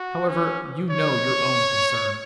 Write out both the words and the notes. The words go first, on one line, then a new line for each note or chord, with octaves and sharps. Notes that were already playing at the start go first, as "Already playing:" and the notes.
However, you know your own concern.
Already playing: F#4
C#4
C#5